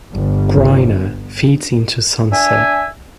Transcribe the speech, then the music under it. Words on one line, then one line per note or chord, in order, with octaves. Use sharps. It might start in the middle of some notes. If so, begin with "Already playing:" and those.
Greiner, feeds into Sunset.
G1
D4 E5 G#5